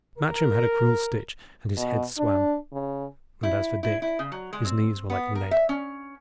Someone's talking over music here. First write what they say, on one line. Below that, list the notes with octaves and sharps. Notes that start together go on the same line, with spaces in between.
Matcham had a cruel stitch, and his head swam; and as for Dick, his knees were like lead.
A#4
B2
D4
C#3
E4
E4
E4
C#3
F#3
G#3
C4
B3
A#4
E5
C#4